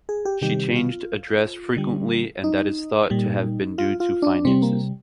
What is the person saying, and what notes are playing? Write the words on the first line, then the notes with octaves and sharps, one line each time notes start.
She changed address frequently and that is thought to have been due to finances.
G#4
G4
C3 D#3 G3 G4
F4
D3 G3
D#4
A#2 G3
F4
F4
D4
C3 G3 C4
A#3